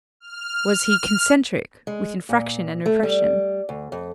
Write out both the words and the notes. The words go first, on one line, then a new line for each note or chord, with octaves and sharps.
Was he concentric with infraction and repression?
F6
G#3
A#2
A3
G3
D2
F2